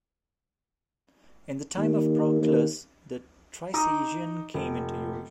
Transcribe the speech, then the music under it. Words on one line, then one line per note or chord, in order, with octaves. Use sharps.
In the time of Proclus the Trisagion came into use.
D#2
D#2
D#4 A#5 D6 D#6
F1